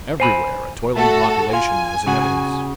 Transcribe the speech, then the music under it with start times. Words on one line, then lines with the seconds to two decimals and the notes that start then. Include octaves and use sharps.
Everywhere a toiling population was in evidence.
0.20 C5 G#5 B5
0.96 A3 F#4 A4
1.53 F4 G#5
2.07 C#3 F#4